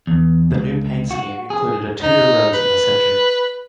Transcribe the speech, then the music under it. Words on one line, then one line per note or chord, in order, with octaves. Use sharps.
The new paint scheme included a Tudor rose in the centre.
E2
C#2
F#4
G#4
D#4
B4